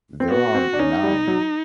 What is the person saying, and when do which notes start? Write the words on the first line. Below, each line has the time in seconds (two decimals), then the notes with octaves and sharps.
There are nine.
0.20 C4
0.30 B3 F#4
0.55 C4
0.73 D4
0.79 C#4 D#4
1.03 G3
1.27 F#3